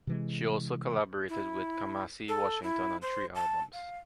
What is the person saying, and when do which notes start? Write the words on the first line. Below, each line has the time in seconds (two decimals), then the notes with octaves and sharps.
She also collaborated with Kamasi Washington on three albums.
0.07 C3 E3 G#3
1.29 E4
2.28 A4
2.63 E4
3.02 C5
3.35 A5
3.73 F5